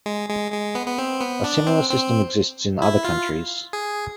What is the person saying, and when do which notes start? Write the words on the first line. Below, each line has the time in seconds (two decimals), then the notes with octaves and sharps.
A similar system exists in other countries.
0.06 G#3
0.29 G#3
0.52 G#3
0.75 B3
0.87 B3
0.99 C4
1.21 B3
1.44 D4
1.67 C4
1.90 C4
2.82 E4
3.05 F4
3.73 G#4